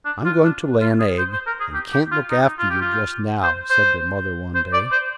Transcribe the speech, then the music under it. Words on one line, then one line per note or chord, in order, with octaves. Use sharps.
I'm going to lay an egg, and can't look after you just now,' said their mother one day.
D4
F4
D4
F4
G#4
C5
C5
A#4
G#4
G4
G4
F4
D#4
F4
G4
F4
C5
C5
C5
D5
C5